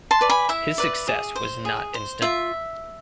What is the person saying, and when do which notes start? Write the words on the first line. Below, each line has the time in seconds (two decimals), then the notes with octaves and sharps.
His success was not instant.
0.11 A5 C6
0.21 B4 D5
0.30 G#5 B5
0.49 E4 E5
0.78 B4 D5
1.08 G#4
1.36 C5
1.65 G#4
1.94 C5
2.22 F4 E5